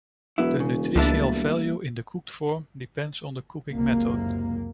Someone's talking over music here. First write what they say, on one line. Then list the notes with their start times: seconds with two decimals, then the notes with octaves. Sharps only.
The nutritional value in the cooked form depends on the cooking method.
0.38 E1 F#3 B3 E4
0.60 C#3
0.95 C#2 G3 A#3 D4 E4 A6
3.72 F#1 C#2 C3 A#3